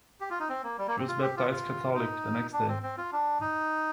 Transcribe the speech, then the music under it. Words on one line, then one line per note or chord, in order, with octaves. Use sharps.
She was baptized Catholic the next day.
G4
F4
D#4
C4
A#3
G3
A#3
C4
F4
G4
F4
F4
D#4
D4
C4
C4
F4
D4
D#4